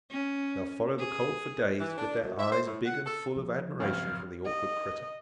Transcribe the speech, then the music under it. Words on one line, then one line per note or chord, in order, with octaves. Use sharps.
They'll follow the colt for days, with their eyes big and full of admiration for the awkward critter.
C#4
G#4
E3
D4
F#2
E5
C5
A2
F#5
A4
F3
G#1 C#2 F#2 C#4 F5 F6
D#5